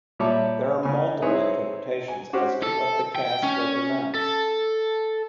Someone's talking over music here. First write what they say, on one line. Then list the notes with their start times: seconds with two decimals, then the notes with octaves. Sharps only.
There are multiple interpretations as to what the cast represents.
0.19 A#2 G3 C#5 E5 A5 D6
0.83 C#3 G#5
1.22 C4 D#4 E4 G#4 B4 C#5
2.08 G#5
2.33 C#4 F#4 G4 C5
2.63 A4
3.15 G5
3.43 C#4
4.14 A4